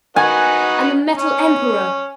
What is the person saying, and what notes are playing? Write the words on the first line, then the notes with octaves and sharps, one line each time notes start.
And the Metal Emperor!
D#4 F#4 B4 G#5
C#4